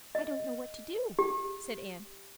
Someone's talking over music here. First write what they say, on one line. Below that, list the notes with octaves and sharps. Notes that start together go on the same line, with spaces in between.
"I don't know what to do," said Anne.
D#5
G4